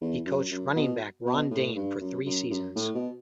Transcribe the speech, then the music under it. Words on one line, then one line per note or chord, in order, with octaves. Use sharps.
He coached running back Ron Dayne for three seasons.
E2
F#2
F#2
B2
B2
A2
G2
F#2
F#2
F#2
A2
B2